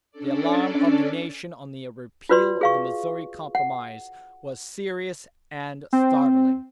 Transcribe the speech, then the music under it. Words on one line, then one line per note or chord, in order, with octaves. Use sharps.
The alarm of the nation on the repeal of the Missouri Compromise was serious and startling.
C#4 D4 A4 D5
F4 F#4 B4 D5 C6
G#4 F5 C#6
F#5
C4